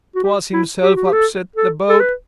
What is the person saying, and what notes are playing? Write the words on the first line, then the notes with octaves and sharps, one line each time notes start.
'Twas himself upset the boat.
F#4
G4
E4
G4
F#4
G4
A4
A4
A4
B4